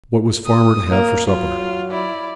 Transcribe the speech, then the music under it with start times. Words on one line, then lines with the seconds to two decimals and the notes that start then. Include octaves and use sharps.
What was farmer to have for supper?'
0.46 D#6
0.91 A#3
1.26 F#3 F4
1.91 E4 D5